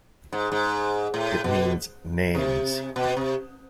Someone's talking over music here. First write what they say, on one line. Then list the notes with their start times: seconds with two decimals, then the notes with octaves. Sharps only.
It means "Names".
0.32 G#2
0.52 G#2
1.14 A2
1.44 B2
2.35 C3
2.96 B2
3.17 C3